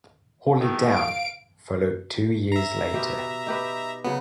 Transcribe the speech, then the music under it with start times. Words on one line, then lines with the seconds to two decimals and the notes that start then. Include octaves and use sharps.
"Hold It Down" followed two years later.
0.60 E2 A2 D#3
0.93 F5 D7
2.52 E5 A#5
2.94 B2 G4
3.46 D#4 G4 B4
4.04 C#3 F#3 B3